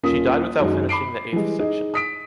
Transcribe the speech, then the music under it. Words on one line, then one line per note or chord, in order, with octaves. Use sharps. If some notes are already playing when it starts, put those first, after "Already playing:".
She died without finishing the eighth section.
D#1 C#4 F4 A#4 D#6 B6
F#2 D#3 G#3 F#4
B5 D6 C7 D7
E3 G3 G#3
D#4 G#4 D#5
D#6 B6 D7